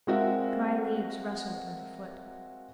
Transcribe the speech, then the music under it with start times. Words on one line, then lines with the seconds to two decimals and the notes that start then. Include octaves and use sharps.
Dry leaves rustled under foot.
0.07 G#3 C4 F#4 A#4 E5 F5